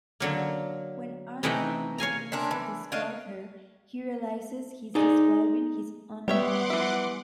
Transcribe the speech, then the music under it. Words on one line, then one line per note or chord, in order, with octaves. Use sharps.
When Arthur begins to describe her, he realizes he is describing his unknown girl.
D3 F#3 A#3
C3 E3 A3 D#4 F#5 G5
C#5 F5 G#5 A#5
C3 C#4 D4 A#4
E3
D4 C#5 D#5 F5
D#4 G#4 D5
G3 B3 G4 C#5 E5 F#5 C6 D6
E3 E5